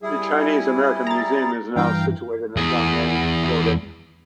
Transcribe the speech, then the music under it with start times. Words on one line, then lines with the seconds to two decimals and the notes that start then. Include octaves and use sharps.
The Chinese American Museum is now situated in Garnier Building.
0.02 G3 E4 G#4
1.07 A#5 A6
1.76 G2 E3 F5 G5 A#5
2.57 E2 G#4